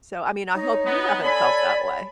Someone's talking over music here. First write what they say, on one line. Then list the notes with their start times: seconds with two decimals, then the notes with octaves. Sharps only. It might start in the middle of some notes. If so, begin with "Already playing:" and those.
So, I mean, I hope you haven't felt that way.
0.55 D#4 C#5
0.85 B3
1.23 A4 D5 G#5 B5